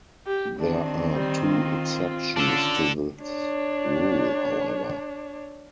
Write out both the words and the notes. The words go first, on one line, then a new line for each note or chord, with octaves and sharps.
There are two exceptions to this rule, however.
G4
D#3 C4 D4
G3
F4
C#4 D4 A4
D4 C#5